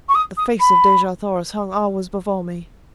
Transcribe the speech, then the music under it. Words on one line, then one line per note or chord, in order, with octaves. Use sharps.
The face of Dejah Thoris hung always before me.
C#6
D#6
D#6
B5